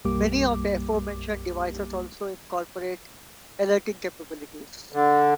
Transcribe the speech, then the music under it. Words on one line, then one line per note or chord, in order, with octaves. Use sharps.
Many of the aforementioned devices also incorporate alerting capabilities.
B1 F#2 G3 A#3 G4 D6
D3